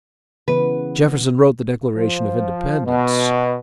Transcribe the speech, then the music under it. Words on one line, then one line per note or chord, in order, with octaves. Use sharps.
Jefferson wrote the Declaration of Independence.
C#3 E3 B3 B4
F3
B2